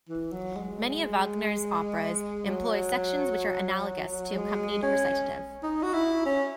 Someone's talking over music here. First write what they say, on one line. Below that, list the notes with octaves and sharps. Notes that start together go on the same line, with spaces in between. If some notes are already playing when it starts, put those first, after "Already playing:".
Many of Wagner's operas employ sections which are analogous to accompanied recitative.
E3
F#3
G#3
F#3
G#3
C#4
D#4
F#4
E4
C#4